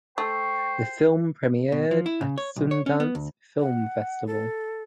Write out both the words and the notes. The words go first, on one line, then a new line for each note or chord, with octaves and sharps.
The film premiered at Sundance Film Festival.
A3 C5 G5 C#6
B2
F3
E4
C#3
C#5
B1
C#5
C#4
B3
D2
F#5
A4